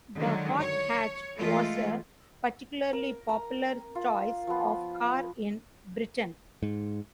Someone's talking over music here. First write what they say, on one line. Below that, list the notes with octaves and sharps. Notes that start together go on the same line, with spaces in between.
The hot hatch was a particularly popular choice of car in Britain.
D3 D#3 F#3 G#3
C#5
E3 G#3 A3 F4 A4
A#4
A#5
F4
F3 B3
G#2